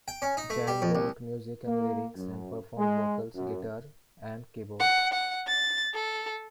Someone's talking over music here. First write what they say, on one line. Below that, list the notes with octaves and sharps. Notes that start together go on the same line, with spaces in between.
Jan wrote music and lyrics and performed vocals, guitar and keyboards.
G5
C#4
D#4
A3
G3
F2
C2
A#3
F#2
G#3
F#2
F#5
F#5
A6
A4